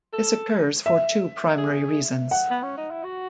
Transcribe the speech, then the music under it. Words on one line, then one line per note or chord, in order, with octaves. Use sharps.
This occurs for two primary reasons.
A4
E5
G#4
F#5
B3
C#4
D#4
E4
F#4